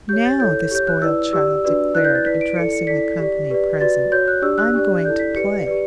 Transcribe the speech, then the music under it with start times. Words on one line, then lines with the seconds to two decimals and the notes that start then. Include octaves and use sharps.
"Now," the spoiled child declared, addressing the company present, "I'm going to play."
0.09 G4 C#5 G6
0.25 A6
0.40 E4 A4 C#5 G6
0.71 G4 C#5 G6
0.88 F#6
1.02 E4 B4 D5 E6
1.33 G4 D5 E6
1.65 D4 F#4 B4 D5
1.94 E4 B4 D5 F#6
2.05 G6
2.15 A6
2.26 E4 B4 D5 B6
2.41 D7
2.56 E4 A4 D5 C#7
2.73 C#7
2.87 E4 A4 D5 B6
3.19 G4 D5
3.50 G4 B4 D5
3.80 F#4 B4 D5 A6
4.12 F#4 C#5 G6
4.28 F#6
4.42 D4 G4 D5 E6
4.58 F#6
4.74 D4 G4 D5
5.04 E4 A4 D5 G6
5.19 B6
5.36 G4 B4 D5 C#7
5.67 G4 B4 D5